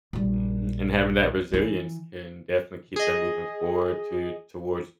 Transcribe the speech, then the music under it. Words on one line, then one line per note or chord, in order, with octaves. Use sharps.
Mhm. And having that resilience can definitely keep them moving forward to towards
A#1 G3
E3
G#4 D#5